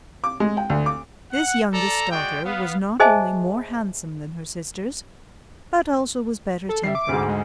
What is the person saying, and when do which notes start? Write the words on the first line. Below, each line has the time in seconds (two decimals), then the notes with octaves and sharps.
This youngest daughter was not only more handsome than her sisters, but also was better tempered.
0.24 D6
0.40 G#3
0.57 G5
0.70 D2
0.86 D6
1.32 F#5
1.73 A4 D5 A#5
2.12 G#3 F#4 D5 G5
2.45 B3 F5
3.00 G#4 C5 D#5 E5 G#5 A5
6.69 A4
6.83 G3 E5 C7
6.95 D6
7.09 D2 G#2
7.28 G#3